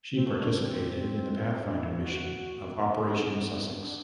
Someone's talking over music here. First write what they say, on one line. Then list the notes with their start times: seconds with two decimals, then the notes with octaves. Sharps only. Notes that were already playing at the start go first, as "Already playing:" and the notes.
She participated in the Pathfinder Mission of Operation Sussex.
0.14 C4
0.26 A3
0.39 D4
0.52 C4
1.63 D4
1.76 E4
1.88 F#4
2.01 F#4
2.14 F#4
2.63 B3
3.13 C4
3.37 B3
3.62 C4
3.78 D4